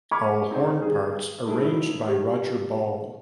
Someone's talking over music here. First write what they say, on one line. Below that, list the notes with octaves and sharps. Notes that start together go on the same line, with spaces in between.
All horn parts arranged by Roger Ball.
B5 C#6 D6 F6 G#6
C4 D#4 G#4 C5 D5
G3 G#4
G#3 A3 E4 G#4
F#3 D#4 E4
G4